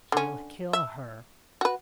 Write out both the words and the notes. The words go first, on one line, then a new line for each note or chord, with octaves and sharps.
"He'll kill her!"
D3 C#4
E5
F#4 B4